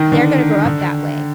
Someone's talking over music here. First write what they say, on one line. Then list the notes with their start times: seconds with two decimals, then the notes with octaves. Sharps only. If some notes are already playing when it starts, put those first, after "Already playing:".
they're gonna grow up that way.
Already playing: D#3
0.12 D3
0.66 D3